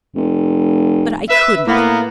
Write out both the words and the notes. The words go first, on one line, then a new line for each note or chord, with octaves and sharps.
But I couldn't!
F1
B4 E5
A2 A#3 B3